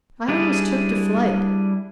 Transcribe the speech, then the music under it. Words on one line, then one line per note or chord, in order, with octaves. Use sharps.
I always took to flight.
G3 D4 E4 G#4